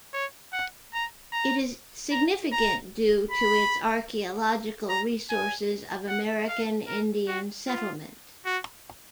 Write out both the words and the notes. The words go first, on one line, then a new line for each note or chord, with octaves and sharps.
It is significant due to its archaeological resources of American Indian settlement.
C#5
F#5
A#5
A#5
A#5
A#5
B5
A#5
G#5
F#5
F5
A#4
F#4
F4
F#4